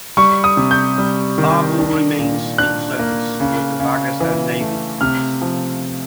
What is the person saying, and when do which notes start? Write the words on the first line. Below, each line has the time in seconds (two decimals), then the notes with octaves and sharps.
"Babur" remains in service with the Pakistan Navy.
0.17 G3 C#6
0.44 D#6
0.57 C3
0.71 G6
0.98 G3
1.38 D#3
1.78 D4
2.19 A#2
2.58 D4 F#6
2.99 A#3
3.40 C#3
3.80 C#3
4.21 E3
4.61 A3
5.01 C3 F6
5.42 F3